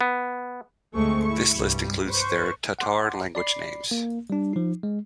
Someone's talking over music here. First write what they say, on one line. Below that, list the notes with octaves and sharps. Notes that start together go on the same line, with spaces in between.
This list includes their Tatar language names.
B3
D2 G#2 G#3 A3 C4 C#6
E4 C#6
C2 G2 G3
B4 C5 C#6
F#5 C6 D6
D5 B5 C7
A#3
G3 D4
F3 D#4
G#3